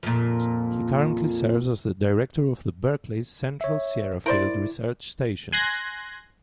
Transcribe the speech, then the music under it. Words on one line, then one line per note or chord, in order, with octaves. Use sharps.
He currently serves as the director of Berkeley's Central Sierra Field Research Stations.
F2 A#2
C#5 E5
E4 A#4 C5 D5
G#5 C6 F#6 G#6 A#6